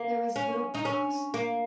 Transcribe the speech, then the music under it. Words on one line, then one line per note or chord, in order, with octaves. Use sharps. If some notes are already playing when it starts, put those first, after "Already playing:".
There was a little pause.
Already playing: A#3
C#4
D#4
C#4
A#3